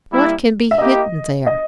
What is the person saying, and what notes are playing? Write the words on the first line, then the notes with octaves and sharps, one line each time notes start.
What can be hidden there?
G3 A#3 E4
E5
A#3 E4 G4 D#5
D#5